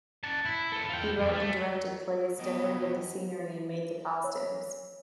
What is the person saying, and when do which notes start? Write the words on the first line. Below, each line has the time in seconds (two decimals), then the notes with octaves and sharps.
He wrote and directed plays, decorated the scenery and made the costumes.
0.24 F#5 A5
0.45 E4
0.72 A4 B4
0.89 F4 G5
1.18 F2
1.33 A3
2.39 F2 B3 G4 D#5
4.24 C#5